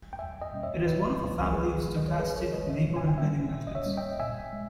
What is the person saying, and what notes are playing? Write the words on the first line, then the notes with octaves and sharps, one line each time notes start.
It is one of a family of stochastic neighbor embedding methods.
G5
E2 E5 G#5
D#5 G5
B2 G3 A#3 C#4
C#5 E5
E2 B4 D#5
B2 G3 A#3 C#4
A#4
C#2 G#4 B4
C#3 G#3
D#5
C#5
C#2 G#4 B4
A#4 C#5
C#3 G#3 B4 D#5
C#5 E5
A#2
G#5
G5
G3 A#3 C#4 E5 G#5
A#2
D#5
C#5 E5
G3 A#3 C#4
D#5 G5
A#2 E5 G#5
G#3